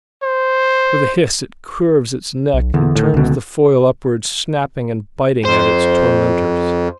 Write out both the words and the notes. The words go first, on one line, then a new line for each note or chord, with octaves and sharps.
With a hiss it curves its neck and turns the foil upwards, snapping and biting at its tormentors.
C5
B1
E2 D3
A2
C#2 B2
F2 C5